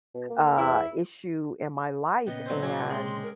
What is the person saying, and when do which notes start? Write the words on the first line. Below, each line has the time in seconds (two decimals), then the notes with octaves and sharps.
uh, issue in my life, and
0.14 B2
0.30 A#3
0.58 E2 E4
2.26 A#2 C#3 B3 D#5 G5
2.46 F#3 C4 C5
2.63 C3 F#3 C#4
2.90 G#3 C6
3.04 C6
3.22 A#4